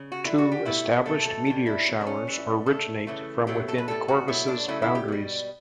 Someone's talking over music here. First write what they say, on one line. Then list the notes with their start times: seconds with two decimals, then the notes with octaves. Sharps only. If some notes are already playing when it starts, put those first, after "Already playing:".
Two established meteor showers originate from within Corvus' boundaries.
Already playing: C#3
0.12 F#4
0.24 D3 G3 E4
0.38 F#4
0.52 G4
0.65 B2 A3 E4
1.06 B2 F#3 A3 A4
1.25 A4
1.46 B2 G3 G4
1.66 E4
1.86 B2 F#3 A3
2.01 D4
2.07 C#4
2.27 A2 E3 G3
2.66 B2 A3 A4
3.07 C#3 E3 A3
3.47 B2 F#3 A3 G4
3.68 A4
3.78 B4
3.88 A2 E3 G3 A4
4.08 F#4
4.28 B2 F#3 A3 E4
4.48 D4
4.68 C#3 F#3 A3 E4
4.82 E4
4.95 G4
5.08 B2 G3